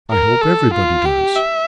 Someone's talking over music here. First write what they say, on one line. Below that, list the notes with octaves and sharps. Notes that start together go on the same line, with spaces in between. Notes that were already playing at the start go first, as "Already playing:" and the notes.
'I hope everybody does.'
A#4
A4
F4
G4
E5